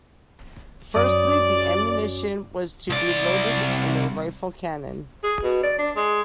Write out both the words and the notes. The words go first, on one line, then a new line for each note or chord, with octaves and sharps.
Firstly, the ammunition was to be loaded in a rifled cannon.
F#2 D5 D#6
C2 D5
G#4
B2
D5
D4
G#3